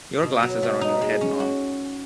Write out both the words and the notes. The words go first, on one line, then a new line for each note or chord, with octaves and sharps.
Your glasses are on your head, mom.
B2
F#3
A3
D#4
G#3
C#4
F#4